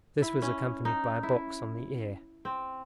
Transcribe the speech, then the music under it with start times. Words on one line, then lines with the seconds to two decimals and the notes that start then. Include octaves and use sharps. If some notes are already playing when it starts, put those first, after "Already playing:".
This was accompanied by a box on the ear.
0.22 E4
0.42 C#4
0.85 D#4
1.23 E4
2.45 C4